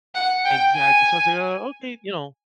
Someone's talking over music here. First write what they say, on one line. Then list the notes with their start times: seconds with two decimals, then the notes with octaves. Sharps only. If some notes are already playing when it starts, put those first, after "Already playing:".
Exactly. So I was like, "Oh, okay," you know,
0.15 F#5
0.45 G5
0.75 G#5